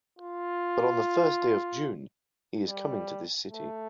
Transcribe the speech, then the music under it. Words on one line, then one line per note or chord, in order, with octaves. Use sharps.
But on the first day of June he is coming to this city.
F4
G3
A3